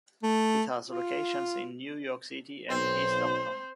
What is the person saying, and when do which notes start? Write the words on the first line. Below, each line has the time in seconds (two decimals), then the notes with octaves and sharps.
It has locations in New York city and East Hampton.
0.23 A3
0.88 F4
2.70 B1 C4 C5